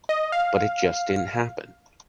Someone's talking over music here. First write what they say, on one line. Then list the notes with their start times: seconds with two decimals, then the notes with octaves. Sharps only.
But it just didn't happen.
0.09 D#5
0.32 F5